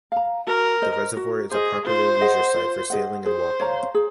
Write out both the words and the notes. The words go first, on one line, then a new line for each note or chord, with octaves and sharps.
The reservoir is a popular leisure site for sailing and walking.
F5 A#5
F#4 A#4
C5 D#5
F#4
G#4 C5 D#5
F4 C5
G#4 D#5 F#5
F4
G#4 D#5 F#5
G#4 C5
C#5 F5 A#5
G#4